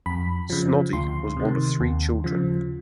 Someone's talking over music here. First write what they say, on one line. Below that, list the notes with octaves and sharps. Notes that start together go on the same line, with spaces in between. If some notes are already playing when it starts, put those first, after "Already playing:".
Snoddy was one of three children.
F2 B5
C#3 F3
D2 C6
C3 D#3
D#2
C#3 F3